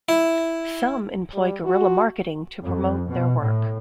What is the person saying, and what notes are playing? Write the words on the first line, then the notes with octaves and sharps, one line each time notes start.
Some employ guerrilla marketing to promote their work.
E4
G3
F#4
F2
B2
A2